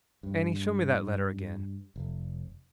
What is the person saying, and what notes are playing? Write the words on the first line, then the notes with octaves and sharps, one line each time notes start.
Annie, show me that letter again.'
G2
F1